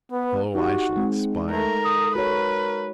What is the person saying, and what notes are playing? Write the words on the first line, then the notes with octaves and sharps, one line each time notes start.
O, I shall expire!
B3 B4
D#4 F#4 G4 F#5
G#3 C4
A3 A4 A#4
D#6
F#4 A#4 B4 C#5